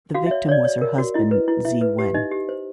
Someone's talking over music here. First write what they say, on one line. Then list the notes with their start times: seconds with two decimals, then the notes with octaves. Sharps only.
The victim was her husband Zi Wen.
0.14 F#4 F5
0.26 E5
0.31 C#5
0.48 C#5 D5
0.65 C#5
0.81 A#4
0.98 F#4
1.14 E4 D#5
1.31 B4
1.48 E4
1.65 E4 E5
1.81 B4
1.99 G4
2.14 D#4 D#5
2.31 G4
2.49 C5